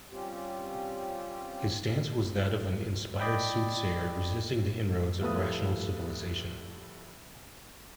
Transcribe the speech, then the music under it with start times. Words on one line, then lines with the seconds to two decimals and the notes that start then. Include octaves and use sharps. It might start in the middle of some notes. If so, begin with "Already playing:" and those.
His stance was that of an inspired soothsayer resisting the inroads of rational civilization.
0.11 G3 C4 C#4 F4 G4
3.20 D5 D#5 G5 B5
5.21 A2 F3 G3 A3 B4 D#6